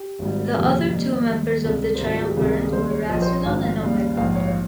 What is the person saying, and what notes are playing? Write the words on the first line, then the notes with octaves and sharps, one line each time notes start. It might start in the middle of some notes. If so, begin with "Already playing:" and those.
The other two members of the Triumvirate were Rassilon and Omega.
Already playing: G4
G#1 G#2 G3
F1 D#2 C#3 F3 G4
D#2 D#3 G3
D#2 D#3 G3
C#2 C3 G3 G#4
A#4
C5
G#1 G#2 G3 A#4
F4
G#4
G4
C#2 C3 D#3 G3 G#4
A#4
G#4
D#2 C#3 G3 C5
C#5
A#1 A#2 F3 D#5
C5
C#5
G#1 G#2 F3 F5
F5
D#2 C#3 G3
A#1 G#2 F3 F5
C#5
C#5